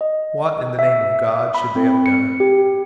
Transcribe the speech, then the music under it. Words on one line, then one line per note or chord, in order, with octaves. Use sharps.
What, in the name of God, should they have done?
D#5
E5
B5
C4
C#7
G4